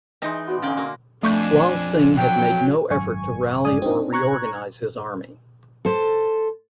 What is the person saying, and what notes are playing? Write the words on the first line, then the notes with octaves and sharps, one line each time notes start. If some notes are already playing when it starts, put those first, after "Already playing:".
Lal Singh had made no effort to rally or reorganise his army.
E3 G#3 D#4 G5
B3 F#4 D5
D3 G#3 A#3 C#4 D5 G5
A#3 F#4
F2 A3 D4 G#5 C#6 G6
F#3 G5
G#1 F#2 G#5 C#6
G1 F2 G#2 D5 G#5 D#6
C4 D4 D#4
A#5 C#6 F#6 G#6
A4 C5